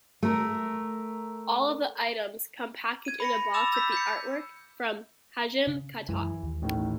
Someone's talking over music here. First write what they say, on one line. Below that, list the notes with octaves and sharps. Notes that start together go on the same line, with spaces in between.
All of the items come packaged in a box with artwork from Hajime Katoki.
A3 A#4
G#6 D#7
B5 A#6 C#7
B5 D6 E6 A6 E7 F7
E6 G6 A6 B6
G6 B6 C#7
C#3
F#2 E3 G#3
D#2
A1 A2 D#3